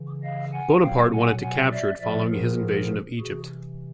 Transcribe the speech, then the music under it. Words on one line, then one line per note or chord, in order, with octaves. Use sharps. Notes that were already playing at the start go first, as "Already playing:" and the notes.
Bonaparte wanted to capture it following his invasion of Egypt.
Already playing: C#3 E3
D#5 F5
F#5 G#5
B2 F#3 F5 G5
F#5 G#5
F#5 G#5
D5 E5
A#2 F3 D5 E5
G#4 A#4
C3 E3 F#4 G#4